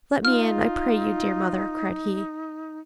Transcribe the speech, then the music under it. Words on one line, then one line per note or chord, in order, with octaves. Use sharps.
'Let me in, I pray you, dear mother,' cried he.
D#4 F4 F6